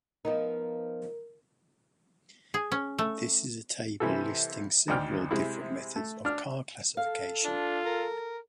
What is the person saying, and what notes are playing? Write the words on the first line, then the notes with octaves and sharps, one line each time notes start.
This is a table listing several different methods of car classification.
F3 B3 D#4 A#4
G#4
C#4
A3
C3 E3 G3 A4
G#1 D2 D5 G5 F6
C3 G#3 E4
A3
D4 F6
A4 F5
D4 F4
A#4